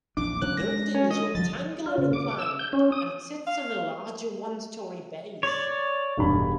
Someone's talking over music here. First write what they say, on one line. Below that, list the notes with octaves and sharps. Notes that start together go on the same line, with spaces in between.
The building is rectangular in plan and sits on a larger one-story base.
A#1 E2 D4 D6
C#3 F#3 F#6
G#3 A#6
C#4
D#5
F3 G3 A6
F4
C#3
D6
E6
G6
C#4
D#6
F5
C#5 D5
E1 G2 B5